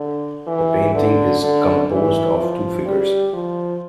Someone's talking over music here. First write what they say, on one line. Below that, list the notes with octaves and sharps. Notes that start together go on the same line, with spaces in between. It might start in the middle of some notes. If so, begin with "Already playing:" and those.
The painting is composed of two figures.
Already playing: D3
E3
D3
D3
E3
F3
G3
F3